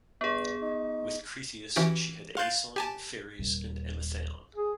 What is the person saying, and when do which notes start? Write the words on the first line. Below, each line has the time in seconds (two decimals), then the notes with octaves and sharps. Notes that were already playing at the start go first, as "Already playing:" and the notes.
With Cretheus she had Aeson, Pheres, and Amythaon.
0.21 G2 B3 G#4
0.62 D#4
1.76 E3 C#4 F#4 G4 D7
2.37 F5 C6 F#6 G6 A6 C7
2.76 G4 G#5 A5
3.39 D#1
4.55 G#4